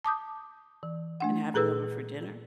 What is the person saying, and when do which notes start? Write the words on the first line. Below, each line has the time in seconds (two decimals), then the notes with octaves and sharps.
and having over for dinner?
0.05 A5 D6 D#6 G6
0.83 E3
1.20 A3 D4 F#5
1.54 A#2 G#4 A4 B4 E6